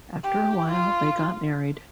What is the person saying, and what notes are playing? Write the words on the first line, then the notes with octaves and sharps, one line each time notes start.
After a while, they got married.
G4
F4